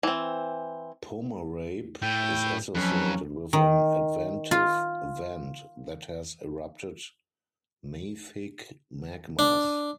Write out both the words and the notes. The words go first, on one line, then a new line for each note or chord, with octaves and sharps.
Pomerape is associated with an adventive vent that has erupted mafic magmas.
E3 C4
A2 G5
F2 F#3 C#4 B4
D#3
F4
D4